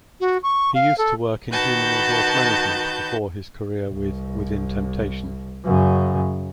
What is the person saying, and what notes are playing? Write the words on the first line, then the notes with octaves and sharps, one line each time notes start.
He used to work in human resource management before his career with Within Temptation.
F#4
C#6
F5
A4
D#3 F#4 B4 A5 G6
C2
F#2 C#3